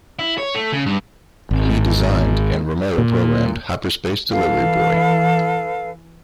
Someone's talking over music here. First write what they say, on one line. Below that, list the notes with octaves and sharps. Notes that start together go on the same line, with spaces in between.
He designed, and Romero programmed, Hyperspace Delivery Boy!
E4
C#5
A3
C#3
G2
G#1
A#2
E3 A4 B4 F5